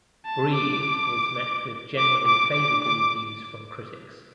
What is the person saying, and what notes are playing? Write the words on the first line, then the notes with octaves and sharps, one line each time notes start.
Breathe was met with generally favorable reviews from critics.
A5
D6
D6
D6
D6
D6